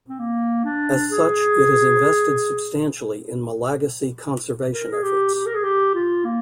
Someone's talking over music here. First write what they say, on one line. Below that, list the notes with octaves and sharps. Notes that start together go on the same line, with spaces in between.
As such, it has invested substantially in Malagasy conservation efforts.
C4
A#3
D4
G#4
A#4
G#4
G4
G4
A#4
G#4
G4
F4
A#3